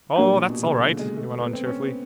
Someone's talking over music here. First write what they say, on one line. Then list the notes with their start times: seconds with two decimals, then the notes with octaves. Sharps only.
"Oh, that's all right," he went on cheerfully.
0.16 A#2 F#3 A#3 D4 G4
0.33 A#2
0.50 B2
0.66 C#3
0.83 D3
0.99 G#3
1.16 A3
1.40 B3
1.53 C4
1.66 C#4
1.82 B3